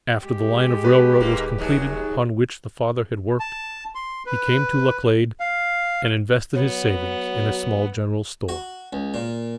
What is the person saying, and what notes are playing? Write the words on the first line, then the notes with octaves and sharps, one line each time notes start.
After the line of railroad was completed upon which the father had worked, he came to Laclede and invested his savings in a small general store.
G#3 G4
B4
D#1 G#2 A#3
D#2 F#3 G#4
A5
C6
B4
F5
F#3 B3
F#4
C#2
A#2